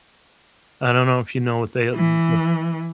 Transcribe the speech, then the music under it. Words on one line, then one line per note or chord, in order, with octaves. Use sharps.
I don't know if you know what they, uh, v v
E3